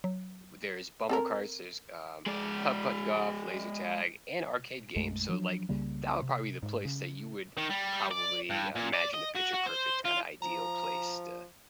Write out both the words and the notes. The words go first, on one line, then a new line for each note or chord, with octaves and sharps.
w there's bumper cars, there's, um, putt-putt golf, laser tag, and arcade games, so, like, that would, probably, be the place that you would, probably, imagine a picture perfect, kinda, ideal place to s
F#3
C4 A4 A#4
G#3 D5
B1 F#2 G#3 A3
F3 F#3 D4
C2 C#3 G3 A#3
C3
G#2
C#3
D#3
G3
D5
G2
A#2
D5
D#5
F#4
F#4
C5
F4
F3 A#5